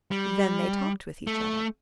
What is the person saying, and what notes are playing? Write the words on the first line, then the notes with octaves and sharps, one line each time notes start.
"Then they talked with each other."
G3
A3